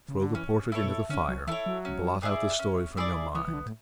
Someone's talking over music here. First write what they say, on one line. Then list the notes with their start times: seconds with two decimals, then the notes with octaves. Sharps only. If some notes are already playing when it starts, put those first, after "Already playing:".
Throw the portrait into the fire, blot out the story from your mind.
0.09 C#3
0.21 D3
0.35 E3 C#4
0.72 E4 A4 C#5
0.84 B2
1.09 D3 C#4
1.28 F#3
1.47 E3 E4 A4 C#5
1.66 F#3
1.85 C#4
2.22 E4 G#4 D5
2.59 C#4
2.97 E4 G#4 D5
3.34 E3 B3
3.48 E3
3.53 D3
3.66 A2